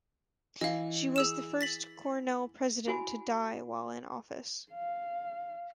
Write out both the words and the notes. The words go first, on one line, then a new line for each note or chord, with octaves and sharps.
She was the first Cornell president to die while in office.
E3 D#5 F5
G#4 E6 E7
A6 B6 F#7
E4 F#4 G#5 B5
F5